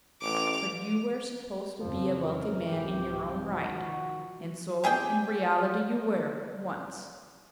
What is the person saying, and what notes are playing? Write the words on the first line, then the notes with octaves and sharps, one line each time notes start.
But you were supposed to be a wealthy man in your own right; and so, in reality you were--once.
A1 D6 F7
F2 C#3 F3
A#4
C2 F2 G#2 G4
D#3 F3 F#4
G4 G#4 D5 G5